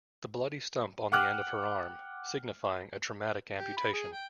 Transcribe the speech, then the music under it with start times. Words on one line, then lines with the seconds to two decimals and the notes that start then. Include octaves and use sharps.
The bloody stump on the end of her arm, signifying a traumatic amputation.
1.12 F#5 G5 D6 F6 F#6
3.58 G4
3.77 B5
3.93 G#4
4.14 G5